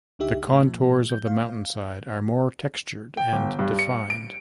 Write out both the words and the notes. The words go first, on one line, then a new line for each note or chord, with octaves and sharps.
The contours of the mountainside are more textured and defined.
C#2 D3 D#4 G4 E5
A2
A#2 F3
G6
F5
G5
G1
G2
C#7
D7